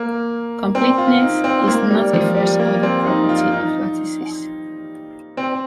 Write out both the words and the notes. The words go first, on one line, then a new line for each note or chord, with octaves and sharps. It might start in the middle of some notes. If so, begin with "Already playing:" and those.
Completeness is not a first order property of lattices.
Already playing: A#3
C4
F4
D#4
C4
A#3
G3
F3
G3
A#3
C4
D#4
F4
D#4
C4